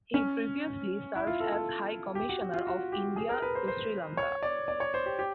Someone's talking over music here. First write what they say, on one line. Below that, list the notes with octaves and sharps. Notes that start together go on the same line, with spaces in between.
He previously served as High Commissioner of India to Sri Lanka.
C#4
E4
F4
A4
A4
G4
F#4
F#4
F4
F#4
G4
G#4
A#4
B4
C5
C5
C#5
D5
D5
C#5
C5
G4
G4